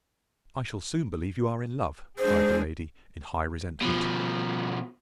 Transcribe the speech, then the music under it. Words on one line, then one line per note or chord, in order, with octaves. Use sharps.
"I shall soon believe you are in love," cried the lady, in high resentment.
G#3 D4 G#4 C5
B2 F3